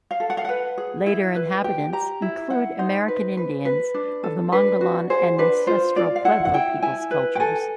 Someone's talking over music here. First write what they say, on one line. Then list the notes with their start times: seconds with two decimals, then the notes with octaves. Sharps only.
Later inhabitants include American Indians of the Mogollon and Ancestral Pueblo peoples cultures.
0.11 F5
0.20 A4
0.30 F#5
0.37 F5
0.45 B4 F#5
0.78 G#4
1.06 E4
1.35 B4
1.64 G4 G5
1.93 G4 A#5
2.22 E4
2.50 E4 F#5
2.79 D#4 C5
3.08 B4
3.37 B4
3.65 B4
3.94 D4
4.23 A4
4.52 D4 B4
4.81 F#4
5.10 G#4 C5
5.38 D4 B4
5.67 F4 C5
5.96 F4 D5
6.16 F5
6.25 E4 F#5
6.45 F#5
6.54 E4 G5
6.82 E4 G#5
7.11 B4
7.35 G5
7.40 A4 G#5